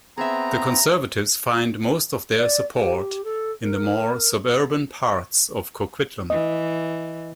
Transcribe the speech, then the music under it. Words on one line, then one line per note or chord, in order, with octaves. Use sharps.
The Conservatives find most of their support in the more suburban parts of Coquitlam.
B3 C4 G#4 E5 A#5
D5
G4
A4
A#4
E3 D#5